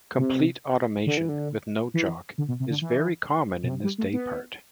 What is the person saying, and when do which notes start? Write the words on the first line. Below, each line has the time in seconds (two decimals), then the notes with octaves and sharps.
Complete automation, with no jock, is very common in this day part.
0.18 C3
1.06 D3
1.17 E3
1.29 D3
1.94 E3
2.38 D3
2.48 B2
2.60 C3
2.70 D3
2.82 E3
3.63 B2
3.70 C3
3.84 G3
3.98 A3
4.13 B3